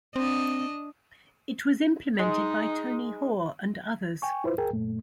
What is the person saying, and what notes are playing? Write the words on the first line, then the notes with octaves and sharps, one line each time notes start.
It was implemented by Tony Hoare and others.
C4 D4 D#5
G#3 D#4
G5 G#5 C#6
E4 F4 B4 C5
D2 G#4 A#4 G5
F#2 A#2 A3